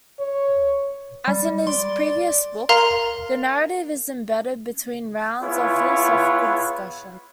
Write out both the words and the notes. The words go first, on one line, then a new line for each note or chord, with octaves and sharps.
As in his previous book, the narrative is embedded between rounds of philosophical discussion.
C#5
G3
D5 C6
A#4 F5 A#5 C6
B3 E4 F4 G#4 B4 C#5